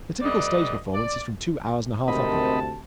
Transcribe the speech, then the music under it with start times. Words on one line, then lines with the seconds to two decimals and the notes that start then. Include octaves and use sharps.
The typical stage performance is from two hours and a half upward.
0.22 F2 G3 B4 D5 D#5
0.93 D5
2.08 D2 G#2 C3 C4 A#4 D#5 A5 B5